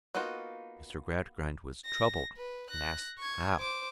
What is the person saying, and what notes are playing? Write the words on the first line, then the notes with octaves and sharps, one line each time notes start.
Mr. Gradgrind was troubled and asked how?
A#3 B3 D#4 F4 F#4
A#6
B4
F#6 A#6
C#6 G#6
C5 D6